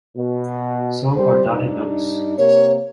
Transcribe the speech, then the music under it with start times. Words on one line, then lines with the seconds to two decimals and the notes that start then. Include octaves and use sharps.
So are dotted notes.
0.17 B2
1.16 G3 C4 C5
1.50 G2 D4 D#4
2.37 C3 A#3 C#5